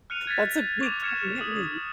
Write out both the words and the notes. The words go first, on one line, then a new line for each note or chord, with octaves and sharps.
That's a big commitment.
F6 F#6 C#7 D#7 F7
G#6 A6 B6
C#6 D6 F7
F6 G#6 C#7 E7
D#6